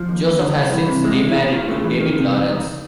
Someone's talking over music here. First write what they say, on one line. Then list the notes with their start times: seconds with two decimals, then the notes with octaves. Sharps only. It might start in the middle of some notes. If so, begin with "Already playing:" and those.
Joseph has since remarried, to David Lawrence.
Already playing: F3
0.09 D#2
0.24 D#2
0.40 D3
0.56 C2
0.73 E3
0.88 C3
1.04 G#3 E4
1.21 E2
1.29 E4
1.36 B2
1.52 A2 F4
1.68 A3
1.84 E3
2.00 D#3
2.16 C3
2.32 E2
2.49 C#2 D#4